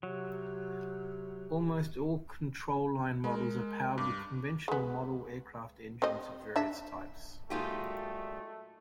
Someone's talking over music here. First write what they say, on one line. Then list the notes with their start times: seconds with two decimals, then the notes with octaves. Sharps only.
Almost all control-line models are powered with conventional model aircraft engines of various types.
0.03 C3 F#3
3.24 G#3 A#4
3.98 G2 D6
4.68 G#3 B3
6.02 C4 G4 D#5
6.56 D4 E5
7.50 F#2 A#2 G#3 A3 D#4 F4 G4